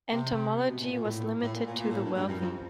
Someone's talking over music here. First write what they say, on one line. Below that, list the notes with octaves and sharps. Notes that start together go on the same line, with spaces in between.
Entomology was limited to the wealthy.
C3
B2
A#2
A#2
A2
A2
A#2
A#2
A#2
A2
G2
G2
F#2
F2